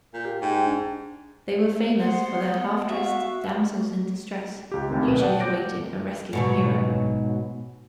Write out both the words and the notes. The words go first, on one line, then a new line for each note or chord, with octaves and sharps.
They were famous for their half-dressed damsels in distress, usually awaiting a rescuing hero.
A#2 G6
G4
G#2 G5
D4
B3 C5 F#5
F#4 E5 F5
C#2 G4
D2 D#3 C4
B1 B2 B4 D#7 E7
D5 F#5 G5 A5
D6 G6 A#6 D7
G#2 B2 F#3